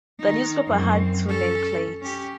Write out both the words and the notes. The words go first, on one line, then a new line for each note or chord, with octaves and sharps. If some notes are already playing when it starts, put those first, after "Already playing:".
The newspaper had two nameplates.
D#3 D#4
F#2 C4
C#4 A4
C#4 G4